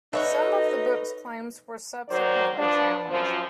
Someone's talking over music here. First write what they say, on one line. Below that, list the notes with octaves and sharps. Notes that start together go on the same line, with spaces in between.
Some of the book's claims were subsequently challenged.
D#4 F#4 A4 B4 C#5 D#5 E5 F#5
D#3 F#3 C5 D5
F3 B3 D4
F#2 F3